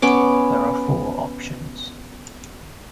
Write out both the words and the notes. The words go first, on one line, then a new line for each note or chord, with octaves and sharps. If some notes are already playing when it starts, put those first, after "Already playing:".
There are four options.
B3 C#4 D6